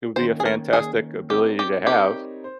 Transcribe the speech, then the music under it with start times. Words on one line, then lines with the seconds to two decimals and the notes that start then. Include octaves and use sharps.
It would be a fantastic ability to have.
0.16 D#3 A#3 C#4 C5
0.40 G#4
0.45 A#4
0.73 D#3 A#3 C#4 G#4
1.30 G3 C4 D#4 G4 A#4 C#5
1.59 G4
1.87 G3 C4 D#4 G4 A#4 C#5
2.44 C5